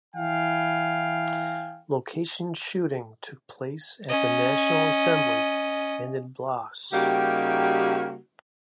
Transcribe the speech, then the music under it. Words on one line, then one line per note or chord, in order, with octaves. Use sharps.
Location shooting took place at the National Assembly and in Blois.
E3 E4 F5 G5 G#5
C#4 D#5
C#3 G3 A#3 D#4 F#4 G4